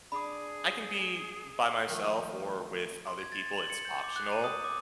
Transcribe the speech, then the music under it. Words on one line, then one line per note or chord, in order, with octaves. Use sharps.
I can be by myself or with other people, it's optional,
D4 G#4 B5 D6
D#3 F3 A3
C6
G#6
A6
A6
F#7
C#7
G6
D6
F#6
D#7
D#6
D6